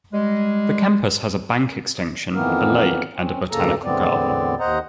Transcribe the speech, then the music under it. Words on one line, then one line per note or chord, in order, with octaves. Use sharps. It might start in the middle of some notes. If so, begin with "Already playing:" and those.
The campus has a bank extension, a lake and a botanical garden.
G3 G#3
F2 D#3 E3 A#3 B3 A#4
C4 C#4
D2 G2 C#3 A#3 A4 A#5
E2 A2 D3 B3 C4 D5
D#2 C5 D#5 F#5 A#5